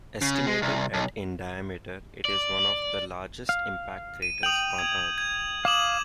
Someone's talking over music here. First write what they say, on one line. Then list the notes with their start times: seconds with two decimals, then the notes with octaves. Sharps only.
Estimated at in diameter, it is one of the largest impact craters on Earth.
0.22 C#3
0.47 G#3
0.62 C2
0.93 B1
2.25 D5
3.49 F5
4.22 D#7
4.43 G5 D#6 F7 F#7
4.78 G#6
5.18 G#6
5.65 F5 D6 D#6 E7 F#7